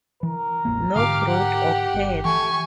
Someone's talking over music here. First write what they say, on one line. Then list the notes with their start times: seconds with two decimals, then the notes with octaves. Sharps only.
No growth occurred.
0.23 E3 A#4
0.65 E1 A1 A#3
0.96 G#2 D3 G4 F5 D6
1.28 F#5
1.94 G1
2.25 E3 A3 G#5 C#6